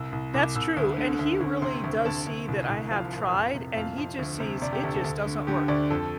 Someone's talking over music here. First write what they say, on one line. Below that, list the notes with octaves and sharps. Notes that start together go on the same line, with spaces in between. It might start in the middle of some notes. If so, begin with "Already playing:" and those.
That's true, and he really does see that I have tried, and he just sees it just doesn't work.
Already playing: C2 E6
C2
C2 D6
C2 E6
D2
D3
D2
D2
C3 C6
D2
D2 A5
D2
C2
C2
F3 F5
A#2
F2
C3
F2 F5
F2
D2
C3
C3 D5
G4
D2 A4
A4
D2
D3
D3 G4
D2 D5
F2 A4